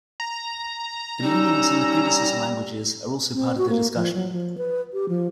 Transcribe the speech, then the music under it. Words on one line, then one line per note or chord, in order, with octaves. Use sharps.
The meanings in the predecessor languages are also part of the discussion.
A#5
G3 C#4 D#4 E6
C4
F#4
A#3
F3
F#3
F3
B4
G4
F3